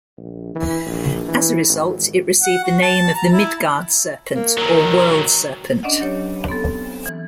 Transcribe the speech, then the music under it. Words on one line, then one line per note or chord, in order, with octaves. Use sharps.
As a result, it received the name of the Midgard Serpent or World Serpent.
A#1
E3
A#1
E3
G#1
F#5
F#4
A5
A#5
E4
A#3
D#3 F#3 A#4
C#4 D4 D5 D#5 F#5
F#3 G4 C#5
B3 C4 A4
E3